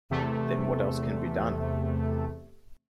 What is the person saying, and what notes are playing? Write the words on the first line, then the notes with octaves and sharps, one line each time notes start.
Then what else can be done?
E2 C3 A3